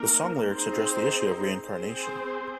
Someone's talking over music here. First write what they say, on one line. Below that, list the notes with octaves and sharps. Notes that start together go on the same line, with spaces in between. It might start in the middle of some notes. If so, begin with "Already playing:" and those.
The song lyrics address the issue of reincarnation.
Already playing: A#3 D#4 A#4
C4 D#4 G#4 C5
C4 G#4 C5